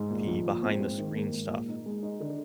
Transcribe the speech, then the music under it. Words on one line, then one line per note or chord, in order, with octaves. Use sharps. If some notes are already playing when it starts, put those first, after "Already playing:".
the behind the screen stuff.
Already playing: G#2
A#2
F3
A#2
C4
G#2
D#3
A#3
G#2
A#2
D#4
G#3
D#4
D3